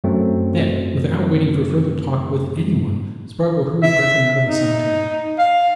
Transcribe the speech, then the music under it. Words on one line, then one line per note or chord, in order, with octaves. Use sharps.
Then, without waiting for further talk with any one, Spargo hurried Breton out of the cemetery.
F#2 F#3 A3 C4
E5
D#4
F5